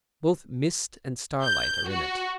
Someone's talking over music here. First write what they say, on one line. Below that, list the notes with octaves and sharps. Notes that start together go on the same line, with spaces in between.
Both mist and starlight are in it.
G6
F#4